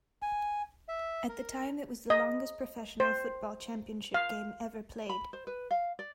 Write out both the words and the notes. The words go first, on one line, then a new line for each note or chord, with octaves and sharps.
At the time it was the longest professional football championship game ever played.
G#5
E5
A#4
D#5
C5
F5
B5
C5
B4
F5
D5